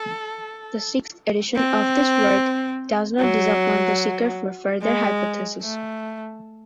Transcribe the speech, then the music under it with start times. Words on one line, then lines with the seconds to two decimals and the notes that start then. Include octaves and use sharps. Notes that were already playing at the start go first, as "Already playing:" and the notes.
The sixth edition of this work does not disappoint the seeker for further hypotheses.
Already playing: A4
1.56 C4
3.19 F#3
4.82 G#3
5.63 A3